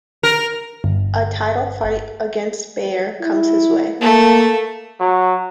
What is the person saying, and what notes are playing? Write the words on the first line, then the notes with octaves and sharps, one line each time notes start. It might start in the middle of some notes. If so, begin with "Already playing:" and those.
A title fight against Baer comes his way.
A#4
G1
E4
A3 A#3 A4
F#3